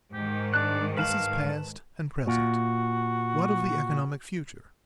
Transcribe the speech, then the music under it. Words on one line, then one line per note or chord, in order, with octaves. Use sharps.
This is past and present; what of the economic future?
G#2 D#3 G4
D4 D5 A5 F#6
B4 F5 A5 B5
A#2 F#4